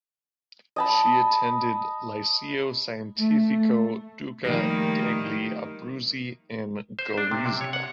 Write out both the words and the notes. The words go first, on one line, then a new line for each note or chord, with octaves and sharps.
She attended liceo scientifico Duca degli Abruzzi in Gorizia.
D#5 A5 B5
A3
D#3 F3 G3 A3 A#3 A#6 C7
C5
D4
C3
C3
C#5
F#5